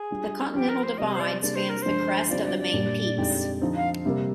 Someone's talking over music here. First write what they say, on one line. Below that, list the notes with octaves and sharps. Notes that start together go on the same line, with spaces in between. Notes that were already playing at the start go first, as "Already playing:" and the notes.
The Continental Divide spans the crest of the main peaks.
Already playing: G#4
G3 D4 F4
F3 C4 F4 G4
A#4
C5
C3 G3 C4 G4 D5 D#5
C5
D5
C3 G3 A#3 D4 G#4 D5
C5
A#4
G2 D3 F3 G#3 D4 C5
D3 G3 C4 F4 D5
D5
D5
A#2 G3 D4
F2 D3 G#3 D#4 G4
D3 F3 C4 D#4
F5
C3 G3 A#3